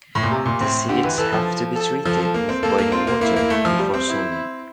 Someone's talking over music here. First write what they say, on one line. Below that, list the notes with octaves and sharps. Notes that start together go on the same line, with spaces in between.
The seeds have to be treated with boiling water before sowing.
A2
A#2
C3
A#2
A2 C4
D3 G4
E3
E3 A4
F3
A4
F3 A4
A#3
C4
A#3 A4
A#3
C4 F4
A#3
A#3 E4
A#3
A3
F3
G3
C4
E4